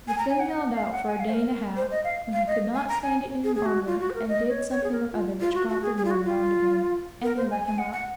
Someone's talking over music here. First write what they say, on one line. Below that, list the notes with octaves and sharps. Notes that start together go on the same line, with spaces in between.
The Fin held out for a day and a half, when he could not stand it any longer, and did something or other which brought the wind round again, and they let him up.
G#5
A#5
G#5
F#5
F#5
F5
F#5
G#5
F5
C5
A#4
C5
D#5
F5
F5
D#5
G#5
A#5
G#5
G#4
G#4
F#4
F4
F#4
C5
A#4
D#5
C#5
C#5
G#4
A#4
F4
F4
F#4
F#4
G#4
G#4
F4
F#4
F4
A#4
C5
G#5
G#5
F#5
F#5